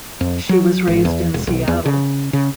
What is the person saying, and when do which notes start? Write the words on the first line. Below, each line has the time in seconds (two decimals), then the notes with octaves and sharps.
She was raised in Seattle.
0.21 F2
0.49 F#3
0.87 G#1
1.05 E2
1.34 E1
1.47 B1
1.68 E2
1.86 C#3
2.33 C#3